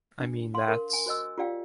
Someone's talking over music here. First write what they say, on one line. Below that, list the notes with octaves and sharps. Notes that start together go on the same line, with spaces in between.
I mean that's...
D4
F5 C6
A#4
G#5
F#4 C5 D#5 E6
F4 G4 D5 F5 G5